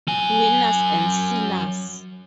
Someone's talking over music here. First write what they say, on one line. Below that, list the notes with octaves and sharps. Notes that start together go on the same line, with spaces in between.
Winners and sinners.
F#3 G#5